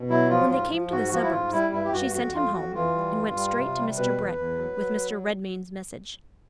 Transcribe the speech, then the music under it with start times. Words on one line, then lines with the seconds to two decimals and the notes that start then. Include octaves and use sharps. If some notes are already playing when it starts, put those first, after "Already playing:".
When they came to the suburbs, she sent him home, and went straight to Mr. Brett with Mr. Redmain's message.
Already playing: B2
0.10 F#3 E4
0.30 F3 F4
0.50 G#2 F4
0.71 F3
0.91 G#2 F#4
1.12 F3 F#4
1.23 E4
1.31 G#2 F4
1.52 G3 E4
1.72 G2 E4
1.85 G4
1.93 G2 F#4
2.13 F2 F#4
2.34 F2 F4
2.53 F2 F#4
2.75 E3 F4
2.95 G3
3.15 G2
3.36 G3
3.55 C3
3.76 G3
3.97 B2 B4
4.18 E2
4.38 E2
4.57 F#3
4.78 F#3